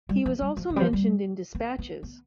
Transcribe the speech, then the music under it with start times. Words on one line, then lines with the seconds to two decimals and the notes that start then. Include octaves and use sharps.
He was also mentioned in dispatches.
0.09 G3
0.26 F3
0.41 G3
0.57 F3
0.70 D#3
0.76 G3
0.81 F3
0.93 G3
1.55 B3
1.79 B3
2.03 B3